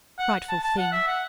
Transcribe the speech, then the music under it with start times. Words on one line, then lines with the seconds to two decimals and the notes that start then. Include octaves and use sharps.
Frightful thing!
0.19 F#5
0.49 A5
0.64 A5
0.78 F#5
0.92 E5
1.08 F#5